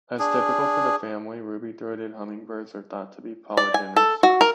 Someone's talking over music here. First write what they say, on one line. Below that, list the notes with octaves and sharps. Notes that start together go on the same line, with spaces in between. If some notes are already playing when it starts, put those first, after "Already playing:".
As typical for their family, ruby-throated hummingbirds are thought to be polygynous.
D4 G#4
D5
G#5
A4
F#4
A#4